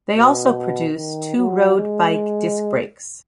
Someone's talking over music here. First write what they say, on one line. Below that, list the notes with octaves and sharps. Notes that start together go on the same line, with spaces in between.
They also produce two road bike disc brakes.
B2
D#3
F#3
G#3